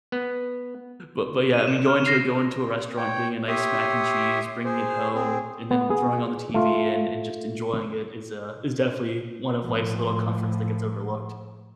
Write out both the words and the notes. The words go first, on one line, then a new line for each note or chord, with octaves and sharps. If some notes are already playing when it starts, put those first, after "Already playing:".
but but yeah, I mean, going to a going to a restaurant, getting a nice mac and cheese, bringing it home, and then throwing on the TV and and just enjoying it is, uh, is definitely one of life's little comforts that gets overlooked.
B3
D#7
E7
F6
A#6 C7 F7
C#5 G5
G4 C#5 E5 C6 D#6
G#4 C5
C4 G#4
B3
G#4
A3 F4
A2 F3